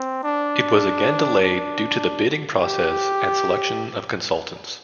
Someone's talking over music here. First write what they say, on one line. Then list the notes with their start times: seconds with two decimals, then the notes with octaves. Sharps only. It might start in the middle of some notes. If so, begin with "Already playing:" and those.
It was again delayed due to the bidding process and selection of consultants.
Already playing: C4
0.24 D4
1.42 D4
2.62 G4